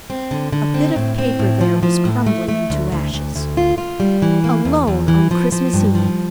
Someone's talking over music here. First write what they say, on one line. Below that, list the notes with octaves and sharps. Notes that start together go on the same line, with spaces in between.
A bit of paper there was crumbling into ashes. Alone on Christmas Eve!
C4
D3
D3
C4
A2
C4
A2
F3
F3
A2
A3
A3
D2
D2
D2
D2
F4
F4
G3
E3
A#3
E2
E2
E3
F3
F3
G2
F3